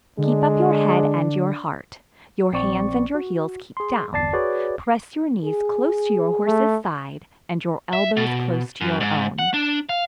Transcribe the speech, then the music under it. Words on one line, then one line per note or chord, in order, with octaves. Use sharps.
Keep up your head and your heart, Your hands and your heels keep down, Press your knees close to your horse's side, And your elbows close to your own.
D3 G#3 D4
A#1 C4 D5 C#6
F#4
G#4 C6
G1 E2 D5 A5 A6 C7
F#4 G#4 B4 C#5 D5
G#4
A3
E5
B2
F#2
G#2
F#5
D4
F5